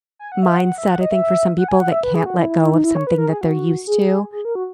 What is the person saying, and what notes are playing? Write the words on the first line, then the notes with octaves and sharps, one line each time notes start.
mindset, I think for some people that can't let go of something that they're used to,
G#5
F#5
E5
F#5
F#5
E5
F#5
D#5
E5
F#5
G#5
F#5
E5
B4
G#4
F#4
E4
E4
E4
D#4
E4
C#5
B4
A#4
G#4
F#4
G#4
G#4
A#4
F#4